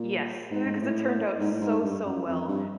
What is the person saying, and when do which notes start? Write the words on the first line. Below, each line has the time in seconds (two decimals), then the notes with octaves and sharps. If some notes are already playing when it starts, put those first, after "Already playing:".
yes, eh, 'cause it turned out so, so well.
Already playing: A#2
0.51 G#2
0.66 G#2
0.81 A2
1.39 G#2
1.51 A2
1.61 G#2
1.83 G2
2.05 F#2
2.27 F2
2.48 G2